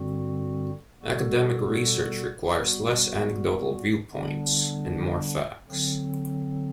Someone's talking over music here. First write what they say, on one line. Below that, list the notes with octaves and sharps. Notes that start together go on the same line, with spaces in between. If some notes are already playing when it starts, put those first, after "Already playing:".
Academic research requires less anecdotal viewpoints and more facts.
Already playing: G2 D3 G3 C4 F#4
B2 G3 B3 F#4 A4
G3 B3 F#4
D3 G3 B3 D4
D3 F#3 C4